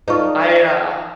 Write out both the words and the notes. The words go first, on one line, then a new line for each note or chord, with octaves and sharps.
I, uh
D#4 F4 A4 B4 D5 C#6